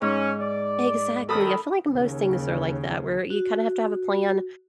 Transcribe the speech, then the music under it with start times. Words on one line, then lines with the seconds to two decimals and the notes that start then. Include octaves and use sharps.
Exactly. I feel like most things are like that, where you kinda have to have a plan
0.02 G#2 C#4
0.40 D5
1.29 F#2 C3 D#3 A4 B5 D#6
1.90 D#2 C#3
3.30 F#4